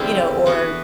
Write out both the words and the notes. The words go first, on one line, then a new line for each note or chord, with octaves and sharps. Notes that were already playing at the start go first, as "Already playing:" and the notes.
You know, or,
Already playing: E2 D3 G3 C4 E4
E3 B3 F#4 B4